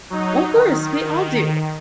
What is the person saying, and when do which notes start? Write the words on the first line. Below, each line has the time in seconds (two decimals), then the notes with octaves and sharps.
O of course, we all do.
0.10 F#3 D#4
0.55 D#3